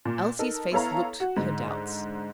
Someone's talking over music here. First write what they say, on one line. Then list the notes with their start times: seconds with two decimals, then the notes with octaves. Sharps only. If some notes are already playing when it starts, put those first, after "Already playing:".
Elsie's face looked her doubts.
0.05 A#2
0.39 D#4 A4 A#4
0.72 B3 E4 A4 C#5 F5 A#5
1.20 F#4 F#5
1.37 G#2 D3